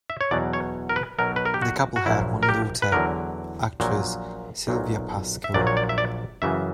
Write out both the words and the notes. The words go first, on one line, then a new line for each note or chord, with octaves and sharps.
The couple had one daughter, actress Sylvia Pasquel.
E5
C#5
E2 B2 F#3 D5
C#5
A#4
B4
B1 B2 F#3 A#4
B4
A#4
G4
F#4
F#4
A#1 A#2 F#3 E4
A#4
G4
B4
E2 D3 F#3 A#4
A#1 A#2 F#3
B1 A#2 F#3
E5
A#1 A#2 F#3 D5
C#5
D5
E5
D5
F#2 C#3 E3 E5